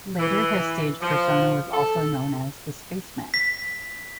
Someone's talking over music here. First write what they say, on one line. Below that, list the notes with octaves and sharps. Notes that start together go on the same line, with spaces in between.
Later his stage persona was also known as "The Spaceman".
E3
F3
A4
B6